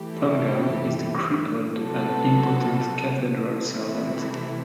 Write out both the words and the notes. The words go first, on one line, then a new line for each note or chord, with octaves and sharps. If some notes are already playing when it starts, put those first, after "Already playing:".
Pangall is the crippled and impotent cathedral servant.
Already playing: G2 E3 A3 E4 G4
C3 F#3 B3 F#4 A4
C3 E3 A3 E4